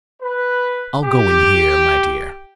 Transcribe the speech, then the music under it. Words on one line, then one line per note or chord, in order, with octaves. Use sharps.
"I'll go in here, my dear."
B4
G4